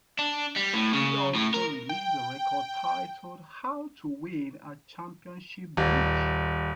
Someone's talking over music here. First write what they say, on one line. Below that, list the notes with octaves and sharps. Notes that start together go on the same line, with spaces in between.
He also released a record titled "How to Win at Championship Bridge".
D4
G3
A2
C#3
A2
A#4
G5
D#1